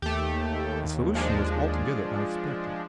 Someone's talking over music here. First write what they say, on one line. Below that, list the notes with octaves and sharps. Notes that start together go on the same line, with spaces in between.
The solution was altogether unexpected.
D#2 A3 G4
F3 G#3 D4